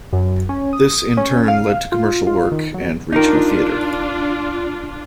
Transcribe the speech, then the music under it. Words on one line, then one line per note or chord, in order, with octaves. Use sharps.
This, in turn, led to commercial work and regional theatre.
F#2
C#4
D#6
C#4
F5
F4
F4
D#3
F#3
D4 D#4 F4 A#4